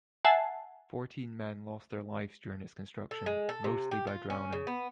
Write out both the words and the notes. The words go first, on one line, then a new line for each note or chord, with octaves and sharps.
Fourteen men lost their lives during its construction, most by drowning.
E5 F#5 G#5 A5 C7
A4
G#3
A4
C3
G4
F4
C#4
C#3
B3